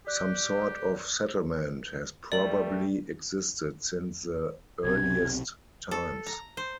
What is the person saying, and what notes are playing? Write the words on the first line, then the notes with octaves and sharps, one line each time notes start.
Some sort of settlement has probably existed since the earliest times.
G4 D5 F#6
G3 A3 D5 F#7
B1 C3 G#6
A4
A#5
C5